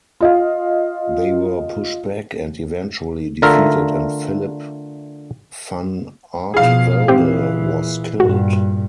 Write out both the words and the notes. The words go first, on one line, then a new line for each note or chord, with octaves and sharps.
They were pushed back and eventually defeated and Philip van Artevelde was killed.
F4 D#5 F5
D3 A3 F4 A#4 E5
B2 F3 G#4 F5
A#2 E3 C4 G4
G2 A#2 F#4